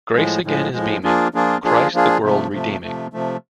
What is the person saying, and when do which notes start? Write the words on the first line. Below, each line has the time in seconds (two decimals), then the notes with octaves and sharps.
Grace again is beaming; Christ the world redeeming.
0.15 A2 F3 G#3
0.45 A2 F3 G#3
0.74 A2 F3 G#3
1.04 F3 A#3 D4 F4 G#4
1.34 F3 A#3 D4 F4 G#4
1.64 F3 A#3 D4 F4 G#4
1.93 F3 A#3 D4 F4 G#4
2.23 C3 F3 A3
2.53 C3 F3 A3
2.83 C3 F3 A3
3.13 C3 F3 A3